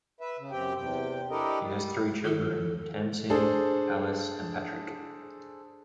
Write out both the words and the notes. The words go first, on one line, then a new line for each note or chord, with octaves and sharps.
She has three children: Tamsin, Alice and Patrick.
B4 E5
C#3
F#2 C4 G4 G5
E2 C3 G5
D4 E4 G4 A4 A#4 D#5
G3
D#3 E4 F4 A4
D4 G#4 A4 C5